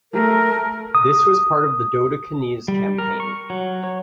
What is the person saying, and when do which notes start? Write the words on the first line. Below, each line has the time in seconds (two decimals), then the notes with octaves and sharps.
This was part of the Dodecanese Campaign.
0.13 A3 A#4
0.95 D#6
2.68 G3
2.98 A#4
3.20 C#6
3.50 F#3
3.84 C#5